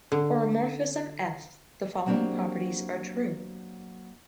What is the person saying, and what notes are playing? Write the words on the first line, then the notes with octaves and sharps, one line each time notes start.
For a morphism "f", the following properties are true.
D3
F#3 A#3 C4 D4 G4 A#4